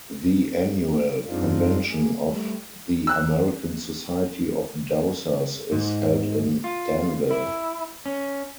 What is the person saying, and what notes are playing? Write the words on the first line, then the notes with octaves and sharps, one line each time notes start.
The annual convention of the American Society of Dowsers is held in Danville.
F#2 G#3 C4 D4 D#4 F4
A#3 G#4
G3 A3
E6 F#6
G#2
F4
E4
C#4